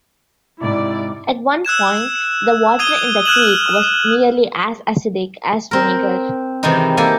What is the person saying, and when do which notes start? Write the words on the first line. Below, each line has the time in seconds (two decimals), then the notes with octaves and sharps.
At one point, the water in the creek was nearly as acidic as vinegar.
0.61 G#2 C3 E4 D5
1.65 E6 F#6 G#6 E7
2.79 D#6 G#6 D#7 G7
3.25 F6 F#6 G#6 E7 F#7
5.71 C4 A#4
6.63 C3 D#3 E3 G#3 D#4
6.97 A#3 G4 A4 G#5